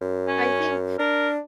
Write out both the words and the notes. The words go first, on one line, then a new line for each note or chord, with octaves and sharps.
I think
F#2
C#4
D4 A#4